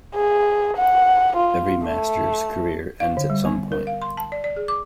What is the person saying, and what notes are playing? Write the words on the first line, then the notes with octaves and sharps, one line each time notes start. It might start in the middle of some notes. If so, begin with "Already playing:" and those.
Every master's career ends at some point.
G#4
F#5
F4
A3
F5
D3
G3
B3
A#4
F5
C6
A5
D5
D5
G#4
D6